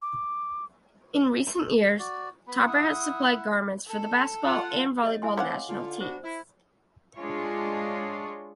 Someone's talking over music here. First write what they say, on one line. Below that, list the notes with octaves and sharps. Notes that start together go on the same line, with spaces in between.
In recent years, Topper has supplied garments for the basketball and volleyball national teams.
D6
F#4 D5
B3 B5
E4 F#5 D#6
A4
F4 F#5
A4 C#5 D#5
E4 G#5 C6
A3 B3 C4 C#5 F5 F#5 D6
D3 F4
B3 D4 F#4 C5
E4
G#3 D4 F4 C#5